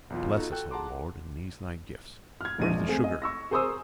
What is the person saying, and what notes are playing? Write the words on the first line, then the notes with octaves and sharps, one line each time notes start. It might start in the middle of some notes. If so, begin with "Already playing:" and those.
Bless us, O Lord, and these thy gifts. Where's the sugar?
B1 E2 F4
D#4 F4 F#4 A4
F#4 A4 G5 F#6
G#4 F#5 A5 A#5 C6 D6
F6 G#6
E1 A#1 D#5 D#7
A3 C4 G#4
D#5
C#6 E6 A#6
G#4 A#4 C5 C#6 D#6 E6